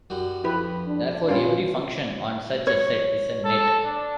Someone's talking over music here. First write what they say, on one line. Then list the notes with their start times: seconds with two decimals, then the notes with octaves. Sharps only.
Therefore every function on such a set is a net.
0.10 F#2 G3 F#4
0.44 F2 E4 G4 B4
0.87 D4
1.28 G2 A#2 G3 C#4 F4 B4
2.67 C#5
3.45 A4
3.84 D4